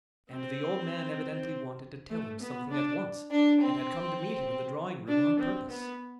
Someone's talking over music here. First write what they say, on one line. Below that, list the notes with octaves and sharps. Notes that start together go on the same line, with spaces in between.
And the old man evidently wanted to tell him something at once and had come to meet him in the drawing-room on purpose.
C4
A3
B3
D4
D4
C4
D4
C4
B3